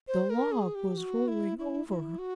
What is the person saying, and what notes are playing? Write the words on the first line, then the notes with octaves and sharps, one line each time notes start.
The log was rolling over!
C5
A#4
G#4
G4
F#4
E4
E4
E4
F#4